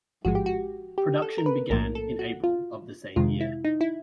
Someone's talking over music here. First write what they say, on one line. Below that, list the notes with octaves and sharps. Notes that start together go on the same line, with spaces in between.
Production began in April of the same year.
A1 G#2 F3 G#3 F#4
G4
F#4
G4
A4
A#4
B4
B1 A2 F3 A#3 A#4
A4
F#4
F4
F2 C3 D#3 G#3 F4
E4
D#4
E4